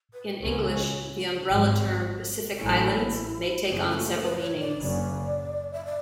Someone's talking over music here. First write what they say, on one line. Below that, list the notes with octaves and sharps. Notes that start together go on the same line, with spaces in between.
In English, the umbrella term "Pacific Islands" may take on several meanings.
B4
F#4
C#2 C#3 G#3 C#4 G#4
F#4
E4
F#4
G#1 G#2 F#3
A1 G#2 F#3 A3 C#4 E4
F#1 F#2 E3 A3 C#4 G#4
E4
F#4
G#4
A4
B4
C#5
D5
F#1 F#2 C#3 F#3 C#4
E5
D5